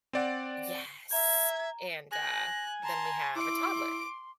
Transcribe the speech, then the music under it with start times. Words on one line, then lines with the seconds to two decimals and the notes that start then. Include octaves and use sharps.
Yes, and, uh, then we have a toddler,
0.13 C4 D5 F#5
1.13 E5 A#5 G#6
2.12 G#5 F#6 A#6
2.83 A5 A#5 C6
3.36 E4 C6 D6 D7